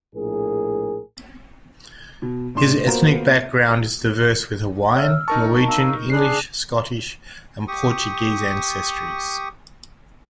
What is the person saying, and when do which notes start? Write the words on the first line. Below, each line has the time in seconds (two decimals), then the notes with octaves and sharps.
His ethnic background is diverse with Hawaiian, Norwegian, English, Scottish, and Portuguese ancestries.
0.14 A#1 A2 G#4 A#4
2.22 B2
2.55 A2 D4 C6 E7
2.86 A#3 B3 F4 F#4 A#4 C5
4.95 C#5 E5 E6 F6
5.28 D#4 A#4 A5 C#6
5.67 F5 A#5 E6
6.10 D4 G#4 D#6 F#6 C7
7.68 G4 C#6 D#6